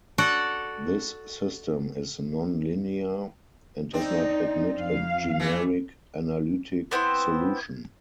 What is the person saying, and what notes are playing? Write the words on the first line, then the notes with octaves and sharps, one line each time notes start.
This system is non-linear, and does not admit a generic analytic solution.
F#4 A4 D5 F#5
C4 D4 D#4
F2 F5
E3 A3
B3 C4 E4 C5